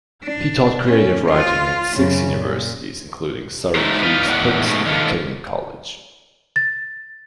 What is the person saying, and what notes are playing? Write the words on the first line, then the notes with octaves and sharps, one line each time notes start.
He taught creative writing at six universities, including Syracuse, Princeton, and Kenyon College.
D4
C#4
F4
F#2 C#3
A#2
G#3 A3 D#4 E4 F#4 C5
D#4 F4 B4
E2 A2 D#3 E3 F#5
G#2 B2 A3
D3 D#3 B3 F4 A4
A6